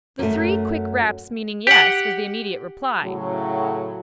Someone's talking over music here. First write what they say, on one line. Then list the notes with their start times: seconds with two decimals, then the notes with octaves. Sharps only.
The three quick raps meaning "Yes" was the immediate reply.
0.19 F#2 F#3 A3
1.67 G4 F#5
3.03 A2 C#3 F#3